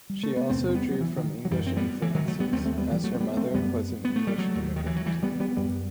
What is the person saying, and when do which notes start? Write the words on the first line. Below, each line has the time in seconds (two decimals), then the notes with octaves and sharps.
She also drew from English influences, as her mother was an English immigrant.
0.09 G3
0.23 A3
0.37 B3
0.50 E2 C3 A3 C4
0.69 C4
0.75 G3 B3
0.91 F#3
1.01 E3
1.17 D#3
1.45 F#3
1.51 F#2 E3 G3
1.67 C4
1.77 G3 B3
2.02 E3
2.15 D#3 F#3
2.27 F#3 A3
2.40 G3 B3
2.53 D#2 A3 C4
2.65 A3 C4
2.78 G3 B3
2.91 E3 G3
3.04 F#3 A3
3.14 C4
3.20 G3 B3
3.37 A3 C4
3.54 F#2 G3 B3
4.05 B3
4.16 A3
4.27 G3
4.38 F#3 A3
4.55 D#2
4.76 D#3
4.86 E3
4.96 F#3
5.06 E3 G3
5.23 G3 B3
5.40 G3 B3
5.57 F#2 G3 B3